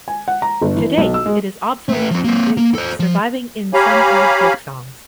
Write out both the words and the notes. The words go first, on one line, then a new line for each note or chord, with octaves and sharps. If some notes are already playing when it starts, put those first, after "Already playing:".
Today it is obsolete in Greek, surviving in some old folk songs.
G#5
F#5
A#5
G1
E3
B1
E6
G#3
A3 B4
F3 C4
A#3 C4
A#3
A4 C5
F3
G4 C#5 F5 G#5 A#5 B5